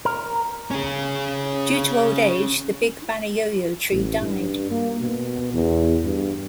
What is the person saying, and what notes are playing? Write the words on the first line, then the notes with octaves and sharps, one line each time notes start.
Due to old age, the big "Banayoyo" tree died.
A#4
C#4 G#4
A1
G2
A#3
B2
E2
G2